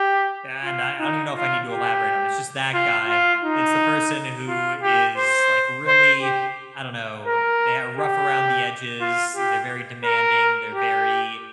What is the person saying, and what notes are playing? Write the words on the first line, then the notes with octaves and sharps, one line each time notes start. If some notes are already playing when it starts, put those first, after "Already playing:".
And I I don't even know if I need to elaborate on it. It's just that guy. It's the person who is, like, really, I don't know, they're rough around the edges. They're very demanding. They're very,
Already playing: G4
F4
D#4
F4
G4
F4
F4
D#4
F4
G4
C5
C5
G4
A#4
G4
F4
G4
A#4
G4